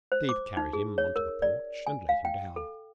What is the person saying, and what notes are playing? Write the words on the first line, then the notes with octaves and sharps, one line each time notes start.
Steve carried him on to the porch and laid him down.
C5
D6
D#4
G#4
C#5
A#4
D5
G#5
F5
G5
A4